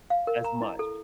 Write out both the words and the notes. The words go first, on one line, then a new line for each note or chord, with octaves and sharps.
as much.
F5
A#4
A#5
E4
A4